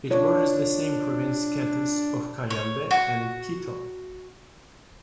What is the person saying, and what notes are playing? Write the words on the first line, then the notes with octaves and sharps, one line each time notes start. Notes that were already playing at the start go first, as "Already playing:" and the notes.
It borders the same-province cantons of Cayambe and Quito.
D4 F4 C#5
C#5
F#4